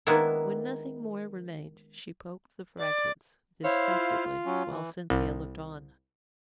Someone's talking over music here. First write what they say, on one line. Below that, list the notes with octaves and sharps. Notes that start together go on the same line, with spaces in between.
When nothing more remained, she poked the fragments disgustedly, while Cynthia looked on.
D#3 G#3 A#3 B3 D4 E4
D5
E4 C5 C#5 F5
F4
F#3 C#4
E3
C2